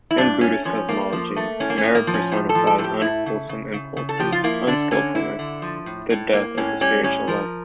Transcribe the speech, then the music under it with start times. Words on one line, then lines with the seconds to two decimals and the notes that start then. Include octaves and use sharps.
In Buddhist cosmology, Mara personifies unwholesome impulses, unskillfulness, the "death" of the spiritual life.
0.11 E4
0.18 G2 D4
0.41 A3 C#4
0.65 F3 C#4
0.89 A3 A#3
1.12 F3
1.36 A3
1.60 A2 C#4
1.70 A#3
1.78 C#4
1.84 A2
1.95 A#3
2.07 F3
2.14 C#4
2.32 A2
2.49 A4
2.55 F3
2.67 A4
2.78 A2 A4
2.84 G4
3.02 A3 E4
3.26 C#3
3.49 C#3
3.74 C#3
3.97 C#3
4.09 A4
4.20 F3 G4
4.32 F4
4.44 A#3 E4
4.67 D3 D4
4.91 D3 C#4
5.15 D3 E4
5.39 D3
5.62 F3
5.86 A2
6.10 A2
6.34 A#3
6.57 A2 C#4
6.81 G3 C#4
7.04 A2 C#4
7.27 F3 A#4